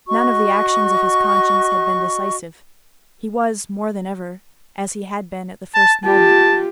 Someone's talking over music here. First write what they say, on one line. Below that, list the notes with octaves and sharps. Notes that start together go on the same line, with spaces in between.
None of the actions of his conscience had been decisive. He was, more than ever, as he had been at the first moment.
F#4 D#5 C#6
A5
F4 G4 A5